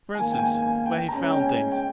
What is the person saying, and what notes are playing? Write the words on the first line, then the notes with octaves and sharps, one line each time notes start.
For instance, where he found things?
G#2 D#3 A#3 G#5
G5
G#5
G#5
G5
C#3 G#3 C#4 A#5
G5
G#5
G5